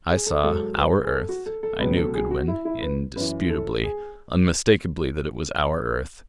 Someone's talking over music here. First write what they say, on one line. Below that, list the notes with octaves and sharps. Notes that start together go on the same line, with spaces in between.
I saw our Earth--I knew, Goodwin, indisputably, unmistakably that it was our earth.
G#4
A4
G#2 F#3 A4
B4
G#4
A4
F#4
A4
A4
C#2 B2 F#3 B4
A4
G#4
F#4
E4
E4
B4
F#2 E3 B4
A4
G#4